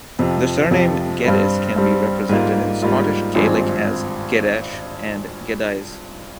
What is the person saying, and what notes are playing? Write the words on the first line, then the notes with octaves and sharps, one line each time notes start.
The surname Geddes can be represented in Scottish Gaelic as "Geadasach" and "Geadais".
F2 C3 F3
F2 C3 F3
G2 G3 C4
G2 G3 C4
G#2 G3 A#3 F4
G#2 G3 A#3 F4
G#1 G2 F3 G#3 C4